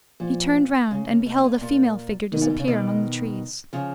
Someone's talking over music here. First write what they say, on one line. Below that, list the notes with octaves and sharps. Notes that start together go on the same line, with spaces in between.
He turned round, and beheld a female figure disappear among the trees.
A#2 F3
C#3
C#3
B2
A#2
A#2
B2 D#3
A#2
B2
C#3
B2 D#3
C#3 F3